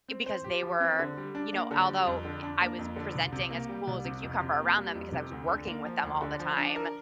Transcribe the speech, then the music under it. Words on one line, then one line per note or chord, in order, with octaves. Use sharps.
eh, because they were you know, although, eh, I was presenting as cool as a cucumber around them, because I was working with them all the time,
C4
C5
G4
F3
C4
D3
G3
D4
A#3
D3
G3
F2
D3
D4
A#3
F2
D3
C2
C3
A#3
G3
C2
C3
F2
C3
A#3
G3
F2
C3
D2
D3
A#3
F3
D2
D3
F3
D4
A#4